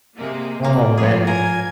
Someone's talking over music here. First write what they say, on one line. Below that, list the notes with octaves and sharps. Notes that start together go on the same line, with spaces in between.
Oh, ma
C3 G#3 A#3
G3 A#3
G#2 F3 B3 F4 G#4
A#4 G#5 G#6